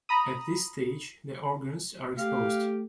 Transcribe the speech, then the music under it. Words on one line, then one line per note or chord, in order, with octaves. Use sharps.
At this stage the organs are exposed.
A#5 B5 D#6
A3 G4 F5